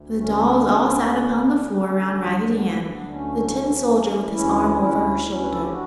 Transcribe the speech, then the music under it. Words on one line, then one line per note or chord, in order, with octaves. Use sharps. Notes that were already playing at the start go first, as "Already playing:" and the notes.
The dolls all sat upon the floor around Raggedy Ann, the tin soldier with his arm over her shoulder.
Already playing: D2
D3 A3 C#4
D2
D3
D3
D2
D3 B3 D4
B3 D4
D2
A3 C#4
E3
E3
D2 C#4 E4
D2 C#4 E4
D2 C#4 E4
B4
A4
G4
D4 F#4